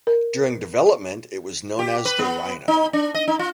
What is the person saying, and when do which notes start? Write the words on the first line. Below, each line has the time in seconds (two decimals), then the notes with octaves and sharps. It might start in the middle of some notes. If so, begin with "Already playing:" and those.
During development, it was known as the "Rhino".
0.07 A#4
1.79 G4
2.05 B4
2.19 B3
2.68 D#4
2.93 D4
3.14 D#5
3.28 D#4
3.39 F4